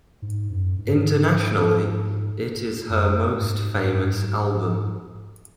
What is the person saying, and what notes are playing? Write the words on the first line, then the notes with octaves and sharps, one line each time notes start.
Internationally, it is her most famous album.
G#2
F#2
G#2
F#2
G#2
G#2